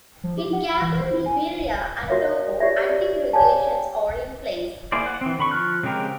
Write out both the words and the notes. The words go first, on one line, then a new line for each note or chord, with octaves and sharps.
In Gabon, Liberia and Togo, hunting regulations are in place.
F3
G4
F#5
B5
E3
C5
E4
G#5
F#4 A#4 C#5 E5 F5
G4 C#5 D5 E5
G4 D5
G#4 C#5 D5 F5 G#5 A5
G5
A#3 E4 G#4 C5 D5
F#5
E3 C4
D3 B5 C#6
F3 F6 F#6
C#3 G#3 C4 G4 A#4